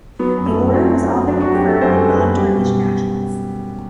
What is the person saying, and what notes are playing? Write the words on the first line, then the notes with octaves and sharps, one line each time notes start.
The Order was often conferred on non-Turkish nationals.
F#3 B3
F#2
A3
F#2
F#3 C4
F#2
F#3
F#3 D4
F#4
F#3
G4
F#3 A4
F#2 C5
F#3 A4
B4
F#2
G3 G4
B2